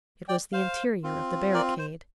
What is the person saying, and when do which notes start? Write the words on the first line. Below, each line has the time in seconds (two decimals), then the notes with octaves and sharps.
It was the interior of the barricade.
0.28 D5 G5
0.53 C5 F5
1.04 C4 F4
1.54 A#4 D5
1.79 C5